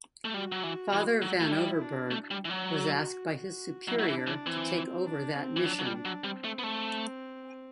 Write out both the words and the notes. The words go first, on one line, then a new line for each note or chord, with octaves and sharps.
Father Vanoverbergh was asked by his superior to take over that mission.
A3
G3 F#4
F#3
E3
E3
F#3
A3
G3 E4
D4
A3
G3
E3
F#3
F#4
F#4
F#3 E4
F#3
E3
D4
E3
E3 C4
C4
D4
C4
E3
F#3 D4
F#3
G3
D4
F#3
G3 C4
A3
B3
A3